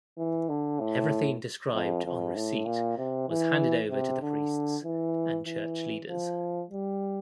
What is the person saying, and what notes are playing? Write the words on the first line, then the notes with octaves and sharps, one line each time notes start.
Everything described on receipt was handed over to the priests and church leaders.
E3
D3
A2
F2
F2
A2
A#2
C3
E3
C3
D3
E3
E3
F3
G3